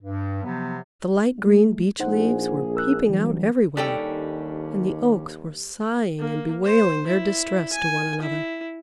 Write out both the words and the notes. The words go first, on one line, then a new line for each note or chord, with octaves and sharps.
The light-green Beech leaves were peeping out everywhere, and the Oaks were sighing and bewailing their distress to one another.
G2
C3 F3 F#3 B3
G#3 A3
A#1 D#4 G#4 C5 F#5
A#4 E6 F#6
D2 E3 F#3 G3
D#2 D#3 G3 C#4 D4 A4 G5
A#3
C5
E4
G#5
E4